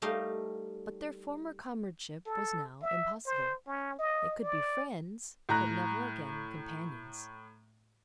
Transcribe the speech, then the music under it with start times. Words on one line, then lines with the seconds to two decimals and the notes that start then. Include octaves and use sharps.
But their former comradeship was now impossible; they could be friends, but never again companions.
0.02 G3 A3 D#4 A#4 F5
2.26 A4
2.82 E5
3.26 C5
3.67 C#4
3.98 D#5
4.42 D5
5.49 A2 A#5 F#6